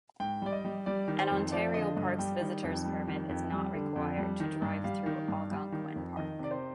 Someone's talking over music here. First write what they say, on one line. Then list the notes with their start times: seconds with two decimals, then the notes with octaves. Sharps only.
An Ontario Parks visitor's permit is not required to drive through Algonquin Park.
0.20 G#2 G5
0.42 G3 D5
0.52 D#5
0.65 G3
0.86 G3 D5
1.08 D#3
1.20 C5
1.31 F2
1.52 F3 D5
1.74 D3 D#5
1.96 G2 D#5
2.18 G3 G5
2.41 D#3
2.64 F2
2.85 G3
3.08 D#3
3.29 F2
3.52 G3
3.74 D3
3.96 F2
4.18 G3
4.40 D#3
4.62 G2
4.84 G3 F5
5.06 D#3
5.28 G2
5.51 G3
5.72 D#3
5.96 F2
6.17 D#3 D#5
6.39 C3 D5
6.51 C5